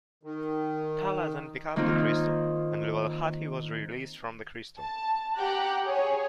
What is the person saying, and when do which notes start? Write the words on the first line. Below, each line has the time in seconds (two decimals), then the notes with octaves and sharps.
Tala then picked up the crystal and Luwalhati was released from the crystal.
0.23 D#3
1.76 D#3 A#3 C4 D#4 F4
4.80 A5
5.36 G4 F#5 G5 A#5 F#6
5.85 G#4 C#5